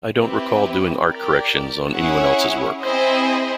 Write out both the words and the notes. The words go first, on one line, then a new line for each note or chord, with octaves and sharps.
I don't recall doing art corrections on anyone else's work.
C4 E4 G4 B4
G4 A#4 D5
C#4 E4 G#4 C#5 F#5
C4 E4 G#4 C5 D#5